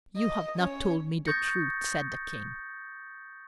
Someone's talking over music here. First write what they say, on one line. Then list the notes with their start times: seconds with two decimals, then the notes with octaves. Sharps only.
"You have not told me the truth," said the King.
0.17 D#5
0.57 C#4 C#5
1.26 C#6 D#6 G6 A6 A#6 C#7